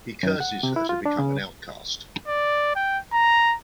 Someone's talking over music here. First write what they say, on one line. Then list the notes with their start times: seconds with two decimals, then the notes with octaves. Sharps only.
He curses her to become an outcast.
0.23 F#2
0.40 F#5
0.63 C3
0.76 E4
0.89 F4
1.06 D4
1.19 C#3
2.28 D5
2.76 G5
3.13 A#5